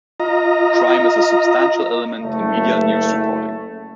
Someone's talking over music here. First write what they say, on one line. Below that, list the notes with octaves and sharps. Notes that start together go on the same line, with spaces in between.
Crime is a substantial element in media news reporting.
F4 D#5 A#5
F#1 A3